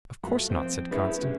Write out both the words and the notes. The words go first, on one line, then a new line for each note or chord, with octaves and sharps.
"Of course not," said Constance.
A3 F4 F#4
F3 C4 C5
A3 C4 C#4 E4 G#4 B4
D3 C#4 F#4